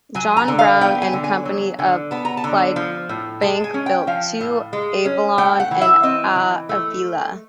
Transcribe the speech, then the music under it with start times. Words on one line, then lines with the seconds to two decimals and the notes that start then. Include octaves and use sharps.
John Brown and Company of Clydebank built two: "Avelona" and "Avila".
0.15 F#3 G#5
0.37 A#5
0.48 D3
0.59 F5
0.81 B3 G5
1.02 G#5
1.13 D3
1.24 G#5
1.45 F#3
1.79 D3
2.11 B3 A5
2.25 A#5
2.37 A5
2.44 D3
2.76 F3
3.09 A2
3.42 G#3 A5
3.64 G#5
3.74 C#4
3.86 G5
4.07 F3 F5
4.41 A2
4.73 G#3
5.05 C#4
5.38 A3 G5
5.60 F#5
5.71 E3
5.81 E5
6.03 C4 D#5
6.36 E3
6.69 A3